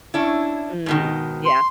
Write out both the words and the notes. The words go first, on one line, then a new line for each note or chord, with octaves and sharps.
Mm, yeah.
C#4 D4 E4
G#2 B2 D#3
C6